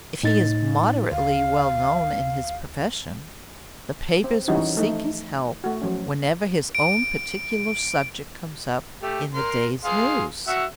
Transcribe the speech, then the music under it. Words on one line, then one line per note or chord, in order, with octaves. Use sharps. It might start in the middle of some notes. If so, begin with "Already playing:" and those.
If he is moderately well-known in his profession, the papers will seek his help whenever his own particular subject comes up in the day's news.
A2 D#4 A6
D2 F5
C4
E3 G3 C#4 D#4 E4 F#4
F3 A3 D#4
A3 F#4
F3 F#3 C#4
D7
A3 G4
A#4 C6
G#4 F5 C6
F#4 E5 F#5